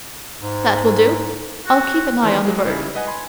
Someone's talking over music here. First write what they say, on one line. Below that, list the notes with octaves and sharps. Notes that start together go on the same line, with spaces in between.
"That will do; I'll keep an eye on the bird."
G#2
F#4
D#3 E3 B3 C#5 C6
F#3 G#3
E2 C#3 G3 D#4 E4
B4 D#5 F#5 G#5
G#5 B5 C6